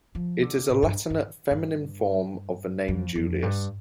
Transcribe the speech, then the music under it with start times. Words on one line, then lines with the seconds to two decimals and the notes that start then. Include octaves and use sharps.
It is a Latinate feminine form of the name Julius.
0.15 F3
0.42 D3
0.69 A2
0.82 G2
1.10 G2
1.51 G2
2.88 F2
3.15 F2
3.42 G2